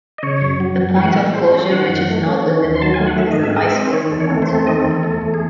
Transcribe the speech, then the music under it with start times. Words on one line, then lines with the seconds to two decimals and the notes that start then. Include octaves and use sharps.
A point of closure which is not a limit point is an isolated point.
0.18 D#5
0.23 C#3 C#5
0.42 F#2
0.60 F#3
0.78 F#2
0.96 E3 C#5
1.05 F#5
1.15 A2 E5
1.34 G#3 C5
1.47 C5
1.52 C#4
1.58 A4
1.71 D#3 F#5
1.89 F#2
2.08 A3
2.26 C#4
2.45 D#3
2.64 D#2
2.75 C6
2.82 F#3 A5
2.94 G#5
3.00 A3
3.07 F#5
3.18 D#3 E5
3.31 D#5
3.37 G#2
3.44 E5
3.55 G#3 D#5
3.66 E5
3.75 C4 D#5
3.93 D#3 C#5
4.11 E2 A4
4.20 C#5
4.30 A3 A4
4.42 C5
4.49 C4
4.55 A4
4.67 D#3 D#5
4.80 A4
4.85 E2
4.91 A4
5.03 A3 A4
5.22 E2
5.34 G#4